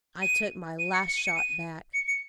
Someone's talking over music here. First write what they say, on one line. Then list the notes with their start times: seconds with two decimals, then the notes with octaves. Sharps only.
I took my "Last Shot" back.
0.22 D#7
0.79 D#7
0.94 C#7
1.07 C#7
1.17 D#7
1.27 C#7
1.36 D#7
1.94 C#7
2.07 C#7